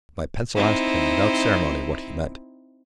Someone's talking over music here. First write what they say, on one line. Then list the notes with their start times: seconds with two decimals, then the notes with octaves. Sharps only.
My pencil asked him, without ceremony, what he meant.
0.55 C4 D#4 E4